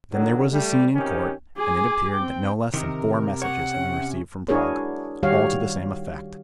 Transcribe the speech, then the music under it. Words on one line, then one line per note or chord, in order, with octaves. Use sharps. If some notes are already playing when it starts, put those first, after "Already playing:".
Then there was a scene in Court, and it appeared that no less than four messages had been received from Prague, all to the same effect.
D3 D#3 F#3
G3 A3
C3 D#3 C#4 G4
G#4 G#5 D6
C4 G5
C3 D#3 A#4
C#5 F#5
C#4
D4 E4 F#4 G#4 A#4 C#5
D#3 G3 F#4 G4 C#5 F5